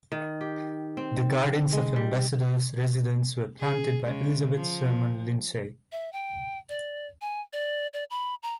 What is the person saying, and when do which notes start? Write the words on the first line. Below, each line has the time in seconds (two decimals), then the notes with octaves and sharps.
The gardens of the ambassador's residence were planted by Elizabeth Sherman Lindsay.
0.12 D#3
0.41 G4
0.97 C4
1.73 G#3
1.96 G3
3.60 G#4
4.05 C#3 G#3
4.54 F3
5.92 E5
6.13 G5
6.69 D5
7.21 G#5
7.53 D5
7.94 D5
8.10 B5
8.43 A#5